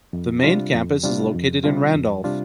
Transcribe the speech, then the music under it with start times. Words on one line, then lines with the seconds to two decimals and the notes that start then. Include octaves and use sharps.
The main campus is located in Randolph.
0.13 F2
0.43 C3 G3 D4 F4
0.74 F2
1.04 C3 G3 D4 F4
1.34 F2
1.64 C3 G3 D4 F4
1.94 F2
2.24 C3 G3 D4 F4